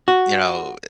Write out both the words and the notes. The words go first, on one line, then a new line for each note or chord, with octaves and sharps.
you know,
F#4